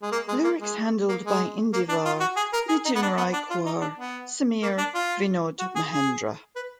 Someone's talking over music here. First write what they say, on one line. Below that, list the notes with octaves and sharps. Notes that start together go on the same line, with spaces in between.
Lyrics handled by Indeevar, Nitin Raikwar, Sameer, Vinod Mahendra.
G#3
A#3
G#3
A#3
G#3
A#3
G#3
A#3
D4
F4
F#4
G#4
A#4
G#4
D#4
B3
D4
B3
D4
F4
D#4
D4
B3
A#3
D4
F4
F#4
G#4
G#4
B4